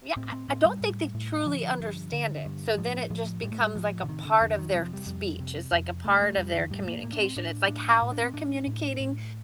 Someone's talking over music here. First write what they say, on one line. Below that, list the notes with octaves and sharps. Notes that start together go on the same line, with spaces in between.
Yeah, I I don't think they truly understand it, so then it just becomes, like, a part of their speech. It's, like, a part of their communication. It's, like, how they're communicating,
A2 C4
C4
A2 C4
G3
A2
A2
D3 F3
G2
D3
G2
A2 F3
A2 F3
A2 G3
A3
G3
A2 F3
D3
C3 D#3
D3
F2 D3
D#3
C3 G3
F3
G3
F2 G3
C3
F2
C3 A3
A3
F2 G3
D#3
A2 G3
A#3
A2 A#3
D4
C4
A2 D4
A2 D4
A2
D4
C4
A2 D4
A2
A2